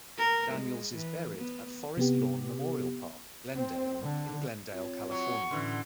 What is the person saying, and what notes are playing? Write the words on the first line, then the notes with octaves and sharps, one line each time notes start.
Daniels is buried at Forest Lawn Memorial Park, Glendale in Glendale, California.
A#4
G#3
E3
B3
C3 B3 G4
C4
D3
C4 F4 C#5
F#3 C#6
A2 D3 E3 C#4